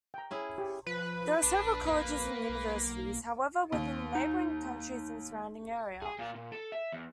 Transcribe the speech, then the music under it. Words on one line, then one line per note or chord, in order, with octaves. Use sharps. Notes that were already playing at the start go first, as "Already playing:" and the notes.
There are several colleges and universities, however, within the neighboring counties and surrounding area.
G5 A#5
C#4 E4 G#4
G4
F3 B4
A#1 D4
A#3
B1
D#2
D#4
G#4 G#5
A#2 F4
A#2
A4
E5
E2